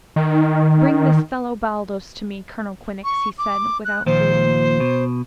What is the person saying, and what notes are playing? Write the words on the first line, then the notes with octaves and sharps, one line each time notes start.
"Bring this fellow Baldos to me, Colonel Quinnox," he said, without greeting.
D#3
C#6
D6
F#6
D#2 A#2 F3 C5
B2